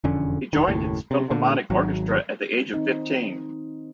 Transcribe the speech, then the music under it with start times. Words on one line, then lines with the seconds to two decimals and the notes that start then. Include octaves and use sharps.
He joined its Philharmonic Orchestra at the age of fifteen.
0.04 E1 F2 D3 C#4
0.53 E1 D#3
0.68 F#1 D#2 A2
1.11 C3
1.30 A#2 D3
1.70 G#1 F#3
2.73 D#3 C4 D#4